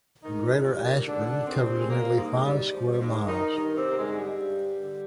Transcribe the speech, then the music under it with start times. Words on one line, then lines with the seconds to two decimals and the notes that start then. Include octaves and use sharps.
Greater Ashburn covers nearly five square miles.
0.23 G#2 D#3 D#4
0.43 F3
0.64 D#3 G3
0.85 A#2 A#3
1.06 G#2 D3 D4
1.47 C3 D#3 C4
1.79 G#3
1.89 G2 A#2 A#3
2.17 G#2 G#3
2.31 D#3
2.45 G3
2.73 G2 F3
2.93 G3
3.00 G#2 G#3
3.15 D#3
3.27 D#3 D#4
3.55 G2 D#3 D#4
3.76 C3 C4
3.91 A#3
3.97 G#2 D3 G#3
4.18 G3
4.38 G2
4.81 D3